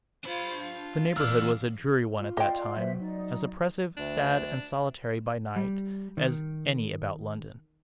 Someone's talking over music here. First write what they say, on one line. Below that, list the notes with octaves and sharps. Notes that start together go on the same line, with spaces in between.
The neighbourhood was a dreary one at that time; as oppressive, sad, and solitary by night, as any about London.
D4 F4 C5 B5
F4
E3 D5 E6 F6
F4
D5 D#5 F5 G5 C6
F#3 B4 C5 E5
D#4 D5
D2 D4
G3
D#3